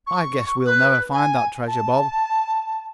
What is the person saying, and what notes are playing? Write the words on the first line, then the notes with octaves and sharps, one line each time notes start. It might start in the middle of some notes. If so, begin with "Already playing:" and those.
I guess we'll never find that treasure, Bob.
C#6
B4
G#5
A5